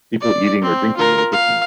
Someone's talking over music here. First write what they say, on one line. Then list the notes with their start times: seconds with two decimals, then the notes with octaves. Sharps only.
People eating or drinking in a kitchen.
0.21 D5
0.62 C4
0.97 F4 A#4
1.32 F5